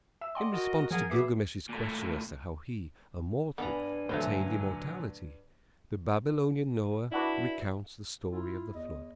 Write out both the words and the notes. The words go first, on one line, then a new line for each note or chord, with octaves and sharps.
In response to Gilgamesh's question as to how he, a mortal, attained immortality the Babylonian Noah recounts the story of the flood.
E5 E6
D5 D#5 F#5 G5 C6
F#4 A#4 D#5
F3 G#4 A#4 F#5 G#5
B3 F#4 G#4 E5 D6 C7
A#2 A3
G2 B3 G#5 A#5
A#2 D3 F#3 A3 C5
D4 E4 F#4 B4
E4 F4
E2 D#5